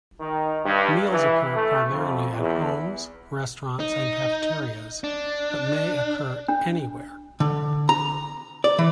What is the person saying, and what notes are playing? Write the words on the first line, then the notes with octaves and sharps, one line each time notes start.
Meals occur primarily at homes, restaurants, and cafeterias, but may occur anywhere.
D#3
G2
E3
A3
F2
E2
D#4
D4
D4
D3
A#5
D5
E3